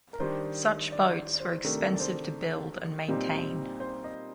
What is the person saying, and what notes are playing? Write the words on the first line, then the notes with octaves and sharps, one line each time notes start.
Such boats were expensive to build and maintain.
A#4
D#3 G3 D4 C5
D5
D5
C5
C3 D#3 A3 D4 A#4
D5
C5
A#2 G3 C4 D#4
C5
D#5